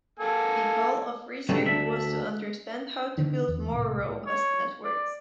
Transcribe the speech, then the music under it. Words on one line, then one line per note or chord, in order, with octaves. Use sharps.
The goal of research was to understand how to build more robust networks.
A#3 A4 G#5
G2 A#2 D3 F#3 G3 A3
D2 D4 E5
D3 D#3
E2
C2 A2
C#5
D5